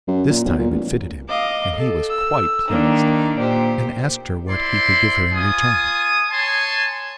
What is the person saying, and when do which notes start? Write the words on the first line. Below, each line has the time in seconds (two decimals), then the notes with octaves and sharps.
This time it fitted him, and he was quite pleased, and asked her what he could give her in return.
0.08 F#2
0.30 A#2
0.45 B1
0.59 A#2
0.71 A1
1.29 D#5 F5 D6
1.74 A4
2.09 E6
2.69 D#3 A#3 D4 D#4
3.38 A#2 G4 C5
4.49 E4 C5 D5 C6
5.34 F4 G#5 D#6
6.31 C#5 G#5 A5 C6